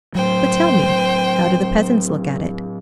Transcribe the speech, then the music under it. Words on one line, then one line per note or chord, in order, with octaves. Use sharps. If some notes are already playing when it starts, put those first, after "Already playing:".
But tell me, how do the peasants look at it?
A2 F#3 C5 G5